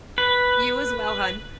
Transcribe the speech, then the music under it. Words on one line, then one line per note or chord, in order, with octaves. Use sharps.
You as well, hon.
B4